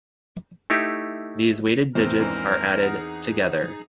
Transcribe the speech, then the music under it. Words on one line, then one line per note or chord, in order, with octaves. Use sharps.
These weighted digits are added together.
A3 D#4 E4 G4
E2 C3 A3 C4 A#4 C5
A#1 G#2 E3
D#4 G#4 F#5